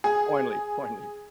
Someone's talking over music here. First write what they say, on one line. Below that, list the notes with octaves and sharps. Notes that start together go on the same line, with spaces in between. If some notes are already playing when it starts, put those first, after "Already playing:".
Corn leaf corn leaf.
G#4